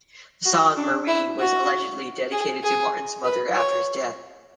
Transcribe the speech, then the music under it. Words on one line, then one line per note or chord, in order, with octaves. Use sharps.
The song "Marie" was allegedly dedicated to Martin's mother after his death.
F#4
D4
E4
F#4
G#4
G#4
B4
C#5